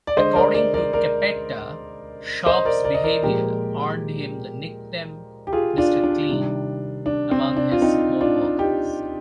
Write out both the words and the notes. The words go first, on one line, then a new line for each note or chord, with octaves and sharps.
According to Cappetta, Sharpe's behavior earned him the nickname "Mr. Clean" among his co-workers.
D5
D3 G#3 C5 D#5
A#4 D5
A#4 D5
A#4 D5
A#4 D5
C5 D#5
A#4 D5
A#4 D5
D#5
A#4 D5
A#2 F3 G#3 G4 A#4
G4
F4 G#4
D4 F4
D4
C3 D#3 G3
D4
C4
D4
F4
C4 D#4
D4 F4
D#4 G4